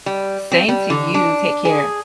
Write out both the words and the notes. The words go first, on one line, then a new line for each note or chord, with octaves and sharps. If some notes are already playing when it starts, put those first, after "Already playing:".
Same to you. Take care.
G3
C4
G3
D3
D4
G#4